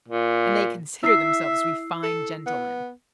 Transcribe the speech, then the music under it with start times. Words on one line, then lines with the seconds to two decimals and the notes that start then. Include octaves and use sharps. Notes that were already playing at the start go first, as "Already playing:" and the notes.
And they consider themselves to be fine gentlemen!
0.08 A#2
1.03 E4 E5 E6 C7
2.03 A4
2.47 B3